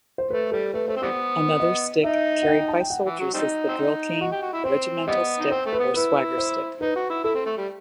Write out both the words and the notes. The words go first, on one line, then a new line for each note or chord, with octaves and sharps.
Another stick carried by soldiers is the drill cane, regimental stick or swagger stick.
C5
A3 B4
G3 A4
A3 B4
A3 C5
C4
E3 G3 B3 C5
D#5
D#4 E5
F#5
G5
G5
A5
G5
F#5
E3
F#3
G3 C4 D#4
C4
D#4
F#4 D#5
G4
F#4
E4
C4 C5
E3 G3 B3 D#5
D#4
C4 C5
A3
B4
B3
E4 B4
C5
D#4 B4
F#4
E4
E4 A4
C4
A3
G3